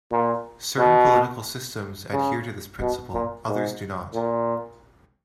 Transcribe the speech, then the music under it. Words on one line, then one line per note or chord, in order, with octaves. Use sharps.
Certain political systems adhere to this principle, others do not.
A#2
B2
C#3
B2
A#2
G#2
A#2